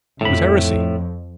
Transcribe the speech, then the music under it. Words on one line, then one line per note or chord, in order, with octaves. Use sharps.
It was heresy.
F2 A2 B5